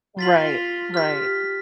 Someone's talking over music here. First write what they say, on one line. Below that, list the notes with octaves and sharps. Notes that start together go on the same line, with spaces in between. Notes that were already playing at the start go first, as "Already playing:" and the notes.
Right, right.
F4 C6 A6 B6 F#7
G4 F6 B6